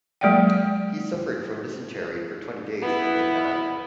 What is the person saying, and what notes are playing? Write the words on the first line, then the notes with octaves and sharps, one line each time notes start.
He suffered from dysentery for twenty days and then died.
F#3 G#3 A#3 D5 F#5 G5
B3 E4